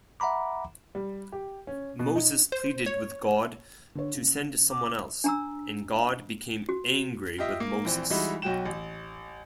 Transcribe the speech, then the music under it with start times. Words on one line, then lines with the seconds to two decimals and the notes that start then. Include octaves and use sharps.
Moses pleaded with God to send someone else, and God became angry with Moses.
0.20 E5 F#5 A#5 B5 D6
0.95 G3
1.32 G4
1.67 C#4
1.99 B2
2.16 D#4
2.52 C5
2.86 C#5
3.95 D3 C#5
4.14 C#3
4.70 D6
5.24 D4 A#5 E6
6.69 F#4
7.38 F4 G4 D#5 E5
7.60 A#3
7.84 A#1 E3 C4
8.10 E3 G3 G#3 D#4 E4 F#4
8.42 B1 F#3 F#4 G5 E7
8.65 A1